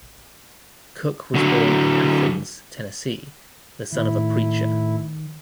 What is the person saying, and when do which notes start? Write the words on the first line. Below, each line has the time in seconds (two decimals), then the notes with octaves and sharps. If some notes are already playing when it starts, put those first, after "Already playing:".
Cook was born in Athens, Tennessee, the son of a preacher.
1.35 D3 F#3
3.92 A2 D#3 E4